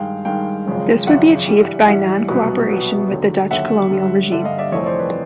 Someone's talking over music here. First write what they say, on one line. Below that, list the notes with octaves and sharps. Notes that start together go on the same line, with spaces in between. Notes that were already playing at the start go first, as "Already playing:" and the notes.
This would be achieved by non-cooperation with the Dutch colonial regime.
Already playing: G2 D#3 G#3 F5 G5
G2 D#3 G#3 F5 G5
G#1 F#2 C#3 F3 G#3
G#1 F#2 C#3 F3 G#3 E5 F#5
G2 E3 G3
G2 E3 G3 E5 F#5
C2 B2 F#3 B3
C2 B2 F#3 B3
D#2 D3 F#3
D#2 D3 F#3 E5 F#5
G2 D3 G3
G2 D3 G3 D5 E5
D#5 F5
D5 E5
F2 C3 E3 A3 C4 C#5 D#5
C5 D5
B4 C#5